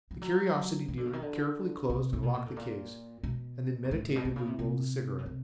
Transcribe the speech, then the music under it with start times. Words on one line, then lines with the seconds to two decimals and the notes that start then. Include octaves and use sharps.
The curiosity dealer carefully closed and locked the case, and then meditatively rolled a cigarette.
0.11 F3
0.22 F#3
0.88 E3
0.97 D3
1.05 C#3
1.13 D#3
1.22 D3
1.89 C3
2.13 C3
2.22 B2
2.34 A#2
2.46 A2
2.56 A#2
3.23 B2
3.84 G#2
3.91 A2
4.16 B2
4.25 C3
4.36 C#3
4.47 C3
4.59 C3
5.18 B2
5.26 C3